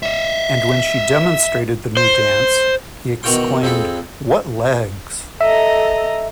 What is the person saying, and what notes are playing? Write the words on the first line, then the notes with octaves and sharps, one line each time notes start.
And when she demonstrated the new dance, he exclaimed, What legs!
D#5 E5
C5
B2 D#3 E3 F#4 G5 C6
F2 C4 G#4 A4 B5
A4 D#5 E5 A#5